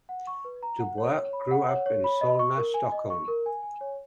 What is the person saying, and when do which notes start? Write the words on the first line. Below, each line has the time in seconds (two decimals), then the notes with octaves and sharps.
Dubois grew up in Solna, Stockholm.
0.09 F#5
0.27 C#6
0.45 B4
0.63 A#5
0.80 F#5
0.98 C#5
1.15 C#5
1.33 B5
1.51 F#5
1.69 C#5
1.86 C#5
2.04 B5
2.21 D#5
2.39 C#6
2.57 A#4
2.74 G#5
2.92 D#5
3.10 C#6
3.28 A#4
3.46 G#5
3.63 G#5
3.81 C#5